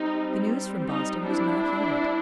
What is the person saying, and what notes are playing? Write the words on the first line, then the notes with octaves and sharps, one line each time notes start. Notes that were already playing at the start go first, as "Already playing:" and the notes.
The news from Boston was not heeded.
Already playing: G3 C4 D#4
D#4
D4 E4